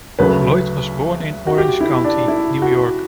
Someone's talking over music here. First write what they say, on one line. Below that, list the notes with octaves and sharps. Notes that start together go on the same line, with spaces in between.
Loyd was born in Orange County, New York.
D2 C#3 F#3 B4
F#4
G4
E4
D4
E4
F#4